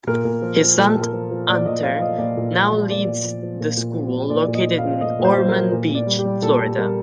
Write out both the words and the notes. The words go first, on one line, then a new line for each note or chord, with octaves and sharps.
His son Hunter now leads the school, located in Ormond Beach, Florida.
A#2 A#4
A#2
F3
F3
A#2 A4
A#2
A#4
F3
F3
A#2 D5
A#2 D#5
F3 F5
F3 D#5
A#2 D5
A#2
F3
F3
A#2 D5
A#2
F3
F3
A#2
A#2
F3
F3
A#2 D5
A#2
D#5
F3
F5
F3
A#2 D#5
A#2
C5
F3
A#4
F3
A#2
A#2
D5
G3
G4
G3
A#2 A4
A#2
G3 A#4